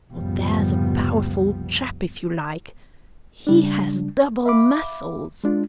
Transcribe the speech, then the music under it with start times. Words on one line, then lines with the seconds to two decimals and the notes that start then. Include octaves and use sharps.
"Now, there's a powerful chap if you like! he has double-muscles!"
0.11 F#1 C2 A2 F3 G3 B3
3.47 C#3 G3 D4
4.46 E5 F5 B5 D6
5.44 G#3 D4 F4